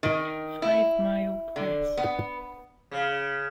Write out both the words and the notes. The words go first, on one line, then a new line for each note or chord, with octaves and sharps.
Five Mile Press.
D#3
E4
D3
B3
C#3